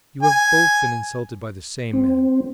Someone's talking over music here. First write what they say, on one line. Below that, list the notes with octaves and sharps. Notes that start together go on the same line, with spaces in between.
You have both been insulted by the same man.
G#5
C4